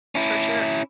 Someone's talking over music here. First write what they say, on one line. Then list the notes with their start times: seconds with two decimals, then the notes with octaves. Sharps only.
For sure.
0.15 C#4 E4